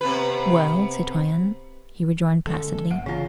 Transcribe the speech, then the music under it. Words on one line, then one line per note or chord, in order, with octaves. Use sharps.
"Well, citoyenne?" he rejoined placidly.
C3 B3 B4
D3 G#3 C#4 A4 A5
G1 A#3 E5 F#5
C#3 E3 C#4 F4